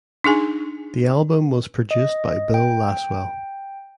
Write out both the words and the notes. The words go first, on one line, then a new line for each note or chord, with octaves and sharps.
The album was produced by Bill Laswell.
D4 D#4 G#4 G#5
D#5
G5